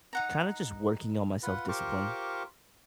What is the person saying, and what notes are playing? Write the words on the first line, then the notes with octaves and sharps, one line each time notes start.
kinda just working on my self-discipline.
D#4 F#5 A#5
F4 B4 F#5
F4 G4 A#4 C5 C#6 D6